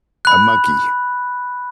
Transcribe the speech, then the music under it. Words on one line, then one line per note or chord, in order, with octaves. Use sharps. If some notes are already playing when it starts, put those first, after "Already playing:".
a monkey,
B5 F#6